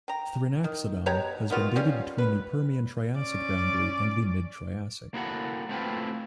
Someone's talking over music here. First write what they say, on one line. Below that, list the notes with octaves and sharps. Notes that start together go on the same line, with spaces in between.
"Thrinaxodon" has been dated between the Permian-Triassic boundary and the mid-Triassic.
G5 A#5
D#3
B2 G4 C#5 A#5
D#3 B3 F4 F#4
G3 C#4 F4
B4
C#4 D5
A#3 E4 F#4 A4 F#5
A3 C4 E4 F4 B4